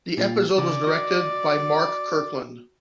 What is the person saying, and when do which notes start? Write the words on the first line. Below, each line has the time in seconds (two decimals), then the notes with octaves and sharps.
The episode was directed by Mark Kirkland.
0.17 A#2 F4
0.58 C#3 D5
0.84 F#4 D#5